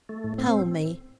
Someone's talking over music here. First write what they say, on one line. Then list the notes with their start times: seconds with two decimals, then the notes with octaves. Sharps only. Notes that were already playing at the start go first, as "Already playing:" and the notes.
"Tell me!"
0.09 A3
0.24 A2
0.38 C4